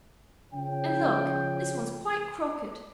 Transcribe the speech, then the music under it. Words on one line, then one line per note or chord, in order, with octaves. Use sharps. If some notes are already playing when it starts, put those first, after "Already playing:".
And look, this one is quite crooked!
C#3 F3 C#5 G5